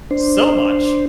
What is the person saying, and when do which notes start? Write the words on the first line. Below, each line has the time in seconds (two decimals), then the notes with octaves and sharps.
so much
0.11 D4 C5